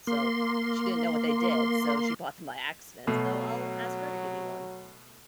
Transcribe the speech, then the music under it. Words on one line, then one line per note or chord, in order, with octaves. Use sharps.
so, she didn't know what they did, so she bought them by accident. So I'll ask her to give me one.
A#3 C6
B2 F#3 A3